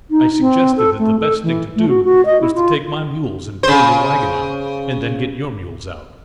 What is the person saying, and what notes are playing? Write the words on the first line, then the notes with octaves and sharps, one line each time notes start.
I suggested that the best thing to do, was to take my mules and pull your wagon out, and then get your mules out.
D#4
C4
A4
A3
A4
E3
A3
F#4
F#4
D#5
E4
F4
C#3 C5